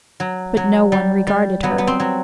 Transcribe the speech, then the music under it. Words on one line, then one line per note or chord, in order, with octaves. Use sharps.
But no one regarded her.
F#3
F#3
G3
G3
F#3 B3
B3
C4
F#3